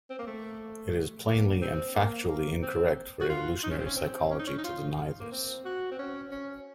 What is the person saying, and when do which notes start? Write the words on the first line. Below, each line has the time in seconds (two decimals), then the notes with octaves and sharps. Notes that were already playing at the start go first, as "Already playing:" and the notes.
It is plainly and factually incorrect for evolutionary psychology to deny this.
0.10 C4
0.19 A#3
0.27 A3
1.28 A#3
1.62 C4
1.95 A#3
2.28 A#3
2.62 C4
3.21 F#4
3.29 F4
3.64 D#4
3.71 C#4
3.78 C4
3.85 C#4
3.96 C4
4.30 C#4
4.39 D#4
4.47 C#4
4.58 D#4
4.64 F4
5.20 A#3
5.32 C4
5.65 F#4
5.91 C4
5.99 C#4
6.31 C#4